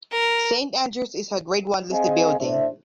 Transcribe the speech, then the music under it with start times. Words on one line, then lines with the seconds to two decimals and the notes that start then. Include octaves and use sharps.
Saint Andrew's is a Grade One listed building.
0.12 A#4
1.92 C4 G#4 D#5 F5 G#5
2.40 A2 D4 C5 E5